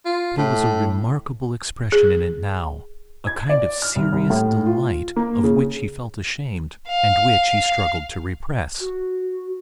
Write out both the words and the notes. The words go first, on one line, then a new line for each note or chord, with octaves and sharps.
There was a remarkable expression in it now; a kind of serious delight of which he felt ashamed, and which he struggled to repress.
F4
A2
G#4
G#6
D5
F6
C2
C2
A2
F4
A#3
C#3
F5
F#4